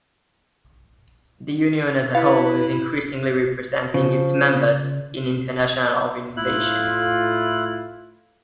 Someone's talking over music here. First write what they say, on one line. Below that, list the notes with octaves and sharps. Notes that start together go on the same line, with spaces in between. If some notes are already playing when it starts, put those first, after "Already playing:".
The Union as a whole is increasingly representing its members in international organisations.
E4 B4 F5 A6 C#7
C#3 F3
A2 A3 E4 F4 F#6